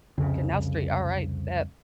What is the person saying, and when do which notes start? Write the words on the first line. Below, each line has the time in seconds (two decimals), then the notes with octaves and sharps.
Canal Street. Alright, that
0.18 C2 F2 C#3 C4